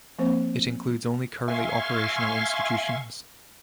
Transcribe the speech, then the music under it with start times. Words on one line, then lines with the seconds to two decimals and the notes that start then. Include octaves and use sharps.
It includes only currently operational institutions.
0.19 F3 A#3 C4 C5
1.48 E5 F5 G#5 C6 C#6